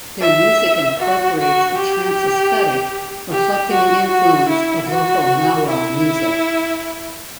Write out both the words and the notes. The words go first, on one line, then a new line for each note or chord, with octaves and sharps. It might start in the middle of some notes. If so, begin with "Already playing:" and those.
Their music incorporates a trance aesthetic, reflecting the influence of local Gnawa music.
E5
F#4
F#4
G4
G4
F#4
F#4
E4
F#4
E4